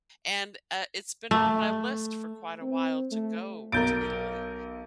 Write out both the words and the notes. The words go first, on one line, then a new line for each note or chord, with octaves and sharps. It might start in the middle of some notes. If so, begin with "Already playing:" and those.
And, uh, it's been on my list for quite a while to go to Italy.
A3
C4
A3
B1 A#4 G6 A6 D7